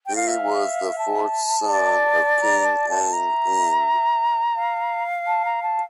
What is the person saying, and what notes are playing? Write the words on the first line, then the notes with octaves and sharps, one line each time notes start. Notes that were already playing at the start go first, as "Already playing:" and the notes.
He was the fourth son of King Ang Eng.
G5
F5
E5 F5
A5
D5
A#5
A5
A5
E5 A#5
F5
A5
A#5
A5